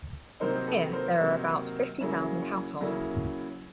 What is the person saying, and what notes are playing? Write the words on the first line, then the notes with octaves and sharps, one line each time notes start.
Here there are about fifty thousand households.
C3 D#3 F#3 A#3 D#4 A#4 C5
A4 B4
A#4 C5
C3 D#3 F#3 A#3 D#4
C#3 F#3 A#3 C#4 E4
C#3 F#3 A#3 C#4 E4